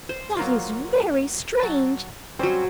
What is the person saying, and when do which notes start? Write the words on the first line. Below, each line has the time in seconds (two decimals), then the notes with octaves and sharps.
That is very strange!
0.09 C5
0.37 F#3 A#3 F4
1.60 F#3 A5
2.39 F#3 G3 C4 C#4 C5